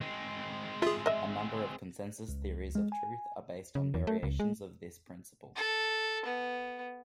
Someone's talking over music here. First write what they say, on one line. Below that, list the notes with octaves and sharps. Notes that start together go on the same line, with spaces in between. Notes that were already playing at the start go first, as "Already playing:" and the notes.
A number of consensus theories of truth are based on variations of this principle.
G#3 C4
F4 G#4 E5
D#5 E5
C#2
G#3
G#5
C#3
E2
A3
C#2
G#3
A4
B3